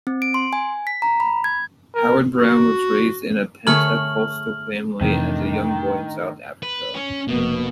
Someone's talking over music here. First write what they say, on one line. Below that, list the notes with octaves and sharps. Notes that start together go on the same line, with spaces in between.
Howard-Browne was raised in a Pentecostal family as a young boy in South Africa.
C4
D7
C6
G#5
B6
A#5
B5
G#6
A#4
F#4
D3 A3 G#4 C#5 F6 F#7
F2 A2 C3 D#3 E3 D4
B4
C#4
F1 B2 A#3 B3